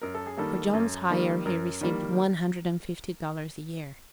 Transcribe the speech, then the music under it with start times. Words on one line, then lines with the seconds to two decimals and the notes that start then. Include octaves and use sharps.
For John's hire he received one hundred and fifty dollars a year.
0.02 F#2 A#4
0.15 A4
0.26 G#4
0.37 D#3 G3 A#3 A4
0.73 F#2
1.10 D#3 G3 A#3
1.46 F#2 A#4
1.81 D#3 G3 A#3